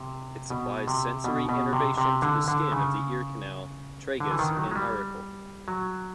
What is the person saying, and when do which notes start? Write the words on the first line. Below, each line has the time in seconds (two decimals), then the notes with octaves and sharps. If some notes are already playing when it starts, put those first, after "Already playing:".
It supplies sensory innervation to the skin of the ear canal, tragus, and auricle.
Already playing: C3
0.50 B2
0.88 C3
1.24 B2
1.49 B2
1.73 C3
1.98 C3
2.22 D3
2.48 D3
2.72 C#3
4.20 D3
4.31 E3
4.39 D#3
4.57 F#3
4.71 G#3
4.75 G3
5.68 F#3